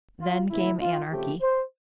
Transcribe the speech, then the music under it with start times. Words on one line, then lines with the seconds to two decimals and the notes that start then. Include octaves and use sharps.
Then came anarchy.
0.20 F4
0.50 C#3 E3 A3 E4
0.80 F4
1.10 C#3 F3 A3 C4 G4
1.40 C5